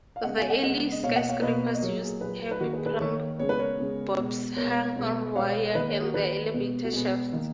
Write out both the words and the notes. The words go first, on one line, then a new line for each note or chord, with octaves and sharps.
The early skyscrapers used heavy plumb-bobs, hung on wire in their elevator shafts.
F5
C#3 G#3 B3 D#5 F#5
F5 G#5
D#5 F#5
C#3 G#3 B3 D#5 F#5
D#5
B2 A#3 C#5 F5
D#5 F#5
C#5 F5
B2 A#3 B4 D#5
D#5
A#2 F#3 A#3 A#4 C#5
G#4
A#2 F#3 A#3 G#4 B4
B4
D#3 A#3 F#4 A#4
G#4 B4
G#4 B4
D#3 A#3 A#4 C#5
C#3 G#3 B3 C#5
B4
A#4 C#5
C#3 G#3 B3
B2 G#3 B3
B2 G#3 B3 A#4 C#5
B2 G#3 B3
B2 G#3 B3 C#5 F5
D#3 B4 D#5
A#3
A#4 C#5
F#4 A#4
D#3 A#3 G#4 B4
B2 G#3 B3
F#4
B2 G#3 B3 G#4
D#3 A#3